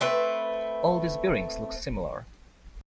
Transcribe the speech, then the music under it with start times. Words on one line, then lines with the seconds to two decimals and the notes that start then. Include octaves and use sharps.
All these bearings look similar.
0.01 A3 C4 B4